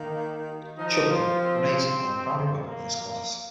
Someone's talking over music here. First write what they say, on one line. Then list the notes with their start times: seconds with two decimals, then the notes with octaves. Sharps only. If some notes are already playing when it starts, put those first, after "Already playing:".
Chucker: Grenades are the primary weapon of this class.
Already playing: D#3 A#3
0.78 F3 D#4
1.09 F4
1.40 C4
2.66 A#3
2.96 A#3